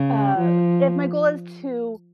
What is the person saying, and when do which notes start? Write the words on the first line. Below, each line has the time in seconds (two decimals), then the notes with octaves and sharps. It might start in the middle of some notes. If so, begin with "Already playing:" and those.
uh, if my goal is to
Already playing: C#3
0.38 F3